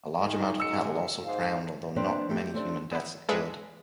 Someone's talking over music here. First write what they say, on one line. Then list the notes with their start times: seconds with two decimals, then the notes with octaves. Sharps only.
A large amount of cattle also drowned although not many human deaths occurred.
0.18 D#3 G#3 D#4
0.60 F#2 G#3 E6 C#7
1.25 G#2 C5 F5
1.96 A#3 C4 D4 B4 D5
2.29 A3 G4
2.54 A3 C4 D4
2.91 B3 E4
3.29 G#3 D4 G#4 B4 E5 F#5